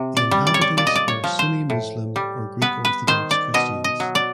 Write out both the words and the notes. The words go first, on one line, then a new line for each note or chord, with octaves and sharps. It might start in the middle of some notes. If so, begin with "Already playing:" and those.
The inhabitants were Sunni Muslim or Greek Orthodox Christians.
Already playing: C3
D5
G3
D5
C#5
D5
A#2 D5
D#5
D5
C#5
F3
C5
A2
G3
B3 B4
B4
D#3 C5
D5
B2 D#5
D#5
F#3
D5